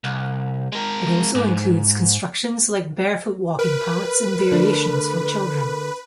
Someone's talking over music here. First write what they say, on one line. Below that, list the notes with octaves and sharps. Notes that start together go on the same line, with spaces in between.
It also includes constructions like barefoot walking paths and variations for children.
C2
G#3 A#4
G#2
A#4 B4
D3 A3 D4